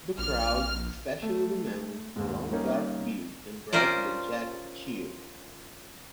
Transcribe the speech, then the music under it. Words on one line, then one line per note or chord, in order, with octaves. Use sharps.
The crowd, especially the man with the long dark beard and bright blue jacket, cheer.
A#1 F6
A3
D#2 G#2
G3 A#3 C#4 D#4 A#4
C#4 F4 A#4 C5 D5